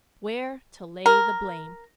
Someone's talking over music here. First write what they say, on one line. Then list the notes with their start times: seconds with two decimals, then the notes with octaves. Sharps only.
Where to Lay the Blame.
1.06 A#4